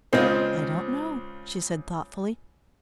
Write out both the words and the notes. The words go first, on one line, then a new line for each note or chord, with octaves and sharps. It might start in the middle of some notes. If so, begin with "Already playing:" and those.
"I don't know," she said thoughtfully.
C#2 C4 F4 C5 D#5